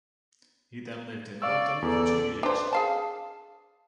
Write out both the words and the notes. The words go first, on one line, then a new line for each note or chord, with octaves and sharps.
He then lived in London for two years.
D5 F5 C#6 E6
E2 A4 D5
D4 B4 C5
G#4 F5 A5